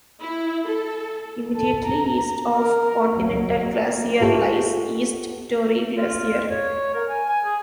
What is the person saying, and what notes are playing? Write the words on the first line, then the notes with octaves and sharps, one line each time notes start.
Immediately east of Continental Glacier lies East Torrey Glacier.
E4
A4
A4
A#5
A#4
F#3
A#3
F4 G4 A4 A#4 C#5 E5
F4
C#5
A#4
G#5
G#5
G#4